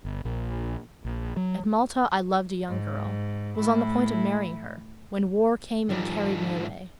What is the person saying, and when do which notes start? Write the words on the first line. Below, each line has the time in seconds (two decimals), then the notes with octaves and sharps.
At Malta, I loved a young girl, was on the point of marrying her, when war came and carried me away.
0.05 G1
0.25 A#1
1.05 A#1
1.37 F#3
2.68 G#2
3.57 A2 E4
5.89 G#2 D3 D#3 F3 G3